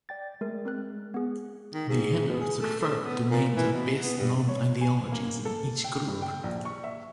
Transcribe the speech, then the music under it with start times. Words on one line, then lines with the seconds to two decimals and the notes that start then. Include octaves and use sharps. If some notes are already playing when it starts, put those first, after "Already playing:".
The headers refer to names of the best-known ideologies in each group.
0.09 D5 G5 A6
0.41 G#3 A3 A#4
0.65 C4 A#4 F#6
1.14 B3 G#4
1.74 D#3
1.89 G#2
2.28 B2
2.40 G#4
2.61 A3
2.80 A3
3.03 B3
3.30 A#2
3.56 E3
3.73 B2
4.02 B3
4.18 G2
4.49 C#5
4.81 G#5
5.12 A#3
5.45 A4
5.84 G5
6.08 G2
6.22 G5
6.44 A#1
6.65 C#6
6.84 E5